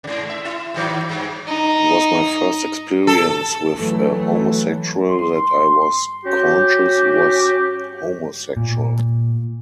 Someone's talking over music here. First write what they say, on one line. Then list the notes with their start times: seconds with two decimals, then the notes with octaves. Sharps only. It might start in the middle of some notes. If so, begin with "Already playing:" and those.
It was my first experience with a homosexual that I was conscious was homosexual.
0.04 G#2 C3
0.30 E5
0.45 E4
0.74 A2 D#3 F#3
1.09 G2
1.47 D#4
3.07 A4
3.74 E3 F#3 A3
5.09 C6
6.25 C#4 F#4 G4
8.57 A#2